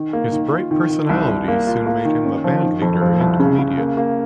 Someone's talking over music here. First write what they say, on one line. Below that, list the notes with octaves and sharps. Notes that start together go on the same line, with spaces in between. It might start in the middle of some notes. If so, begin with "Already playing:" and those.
His bright personality soon made him a bandleader and comedian.
Already playing: D#3
A#3
D#3
F4
D#3
D#3
C2
C2
A#3
F4
A#3
D#3
C#4
F3
D#3
F2
F3
C2
C#3
C#3
A#3
A#3